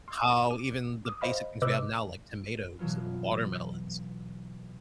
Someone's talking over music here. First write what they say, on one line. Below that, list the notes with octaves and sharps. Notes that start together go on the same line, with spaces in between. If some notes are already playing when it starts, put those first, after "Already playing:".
how even the basic things we have now, like tomatoes and watermelons
C6
D6 D#7
D6 D#6
C5 D#5 F5 B5 F6
C3 B4 D#5 D6 E6 F#6
B2 E3 F#3 B3 F4